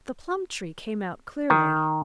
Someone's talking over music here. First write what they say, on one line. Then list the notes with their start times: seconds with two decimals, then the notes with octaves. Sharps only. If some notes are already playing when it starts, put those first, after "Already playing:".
The plum tree came out clearly.
1.50 D#3